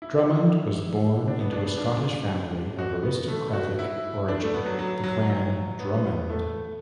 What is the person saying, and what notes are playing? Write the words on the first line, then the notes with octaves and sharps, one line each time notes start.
Drummond was born into a Scottish family of aristocratic origin, the Clan Drummond.
E4
D4
B3
D4
B3
D4
F#4
B3
A3
F#4
E4
D4
A3
B3
F#3
F#3
F#3
F#3
B3
B3
A3